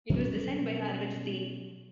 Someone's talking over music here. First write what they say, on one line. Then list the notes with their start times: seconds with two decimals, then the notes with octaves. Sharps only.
It was designed by Arvid Steen.
0.09 B2 F#3 G3 C#4